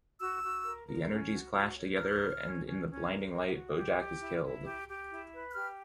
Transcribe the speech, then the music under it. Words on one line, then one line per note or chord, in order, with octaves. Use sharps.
The energies clash together and in the blinding light Bojack is killed.
F#4 E6
F#4
A#4
A#4
C#4
F#4
F#4
C#5
A#4 F6
C#5
C#4
C#4
C#4
A#4
A#4
F#4
G4
G4
E4
E4
G4
G4
E4
B4
F#6
G4 F6